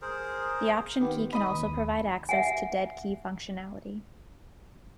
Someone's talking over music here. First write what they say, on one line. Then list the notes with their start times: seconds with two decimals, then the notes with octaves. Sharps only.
The Option key can also provide access to dead key functionality.
0.02 G#4 A#4 C5
1.01 D#3 B3 G4
1.33 D#4 B5 D#6
1.51 D#2
2.29 E5 F#5 G#5